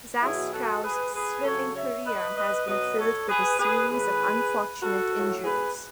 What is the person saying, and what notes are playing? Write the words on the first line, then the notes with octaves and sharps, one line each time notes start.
Zastrow's swimming career has been filled with a series of unfortunate injuries.
B2 F#3 E4 G#4
F#4 A4
G#4 B4
G#4 B4
C#3 F#3 A4 C#5
C#5 E5
B4 D#5
B4 D#5
B2 F#3 B4 D#5
A4 C#5
G#4 B4
G#4 B4
A2 E3 G#4 B4
F#4 A4
A2 F#3
G#4 B4